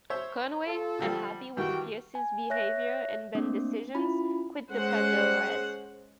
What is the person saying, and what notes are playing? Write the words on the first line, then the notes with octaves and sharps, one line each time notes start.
Conway, unhappy with Pierce's behavior and band decisions, quit The Pandoras.
C5 C#5 E5
F4 A4
D3 F3 G3
G2 D#3 E3 F#4 G4 G5
G#5
C#5 E5 F#6 A#6
A3 A#3 C4 D4
C#4 E4 F4 B5
G#3 C#4 C5 F#5